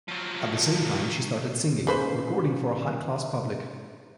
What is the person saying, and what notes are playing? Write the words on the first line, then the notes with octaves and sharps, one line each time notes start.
At the same time, she started singing, recording for a high-class public.
F3 F#3
C#3 B4 C5